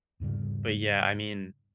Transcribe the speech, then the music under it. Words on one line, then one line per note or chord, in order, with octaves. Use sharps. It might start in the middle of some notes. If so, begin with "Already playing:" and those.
But, yeah, I mean,
E2 G#2 C#3 G3